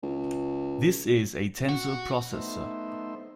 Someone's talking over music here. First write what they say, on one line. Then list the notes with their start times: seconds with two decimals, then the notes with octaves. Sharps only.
This is a tensor processor.
0.03 C#2
1.69 F#4
2.33 A3 B3 D#4 C5 E5